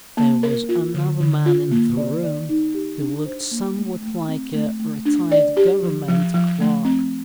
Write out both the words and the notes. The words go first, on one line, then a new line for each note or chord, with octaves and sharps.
There was another man in the room who looked somewhat like a retired government clerk.
A#3
A#4
F4
D3
D3
F4
A#3
D5
D5
D#4
G4
D4
C5
A#3
A3
A3
C4
A3
A3
D4
D5
G4
F3
F3
F3
A3
C4